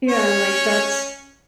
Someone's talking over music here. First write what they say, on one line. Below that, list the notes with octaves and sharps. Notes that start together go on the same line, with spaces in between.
Yeah, and like that's
C#4 C#5